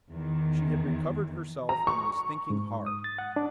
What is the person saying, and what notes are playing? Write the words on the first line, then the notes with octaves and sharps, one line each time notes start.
She had recovered herself and was thinking hard.
E2 D#3
A#5
C#6
G#2
D#6
A6
F#5
D4